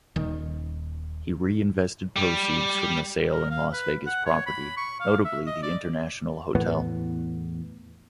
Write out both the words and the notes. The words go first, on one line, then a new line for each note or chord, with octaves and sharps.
He reinvested proceeds from the sale in Las Vegas property, notably the International Hotel.
D#1 D#3
G3
A#4
F5
B4
F#5
C#5
B5
C#6
F5
E5
D#5
D5
E2 A2 B3